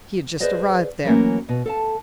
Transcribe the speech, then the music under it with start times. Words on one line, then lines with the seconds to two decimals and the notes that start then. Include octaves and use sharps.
He had just arrived there.
0.40 G#4 B4 C5 D5 D#5 F5
1.04 E3 F#3 A3 A#3 C#4
1.49 B2
1.66 A4 F5 A5